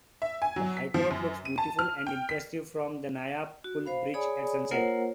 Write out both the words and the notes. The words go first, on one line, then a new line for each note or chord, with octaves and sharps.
The High Court looks beautiful and impressive from the Naya Pul Bridge at sunset.
E5
G#5
F#3
B6
F3
F#2
D#7
A5
F6
G5
B6
F#4
C5 F5 B5
G#4 C#5 D5 G#5 B5 D#6
A#3 F4 A#4 C5 C#5 F#5